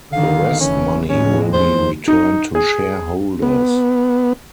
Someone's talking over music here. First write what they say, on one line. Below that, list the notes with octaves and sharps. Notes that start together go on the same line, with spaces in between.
Rest money will be returned to shareholders.
D3 D#3 F5
F#1 E3 C#4
F2 A2 G#3 C#4
C5
D#4
G#4
B3